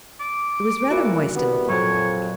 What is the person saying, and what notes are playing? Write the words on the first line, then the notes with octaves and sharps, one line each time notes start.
It was rather moist in the Fog Bank.
D6
A#2 F3 E4 F#4
C2 B3
F2 A#2 F#3 C#5